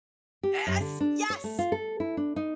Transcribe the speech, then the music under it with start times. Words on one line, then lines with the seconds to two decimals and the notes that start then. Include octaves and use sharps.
Yes, yes,
0.43 G4
0.67 F#2
0.81 D3
1.00 D4
1.30 C#5
1.44 A3
1.59 F4
1.72 A4
2.00 E4
2.17 D4
2.36 D#4